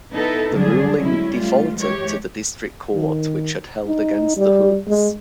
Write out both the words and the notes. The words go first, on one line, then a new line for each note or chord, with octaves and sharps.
The ruling defaulted to the District Court, which had held against the Hoods.
B3 D#4 E4 A4 B4
D3 F#3 G3 D4 G#4
F#3 G#3 C#4 E4
G3 A3 F4
E3 G#3 G4 C#5
D#3
D#4
G3
G#3